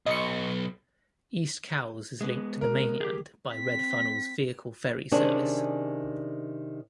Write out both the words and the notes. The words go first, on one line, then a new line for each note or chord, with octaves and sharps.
East Cowes is linked to the mainland by Red Funnel's vehicle ferry service.
B1 D#5 C#7
G#3 B3
A#4
G4 G#4
C4 B6
C3 D#3 C#4 D4 G#4